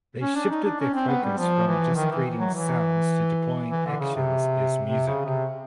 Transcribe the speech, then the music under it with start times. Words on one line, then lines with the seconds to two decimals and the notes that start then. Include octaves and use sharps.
They shifted their focus from just creating sounds to deploying actions as music.
0.21 C#4
0.36 D4
0.50 D#4
0.65 D4
0.80 C#4
0.94 C4
1.08 B3
1.24 G3
1.38 F3
1.68 E3
1.96 D#3
2.11 E3
2.39 F#3
2.55 E3
3.71 E3
3.86 D3
4.00 C#3
4.15 C3
4.88 C3
5.08 C#3
5.26 C3